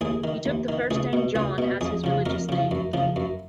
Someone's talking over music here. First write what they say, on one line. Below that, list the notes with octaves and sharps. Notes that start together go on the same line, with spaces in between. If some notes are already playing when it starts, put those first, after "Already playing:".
He took the first name John as his religious name.
D#2 G#4
D#3
D#2
D#3
C#2 G#4
B2
C#2 G#4
B2
F2 G#4
C#3 F3
F2 A#4
C#3 F3
F#2
C#3 F3
F#2